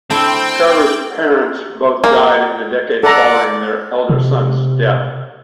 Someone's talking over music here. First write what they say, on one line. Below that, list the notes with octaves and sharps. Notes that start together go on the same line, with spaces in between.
Garber's parents both died in the decade following their elder son's death.
A3 C4 D4 E4 G5
A#3
A4 D5 F#5 A#5
C3